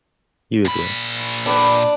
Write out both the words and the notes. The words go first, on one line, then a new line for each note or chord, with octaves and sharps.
You as well.
A#2 B5
D4 G4 B4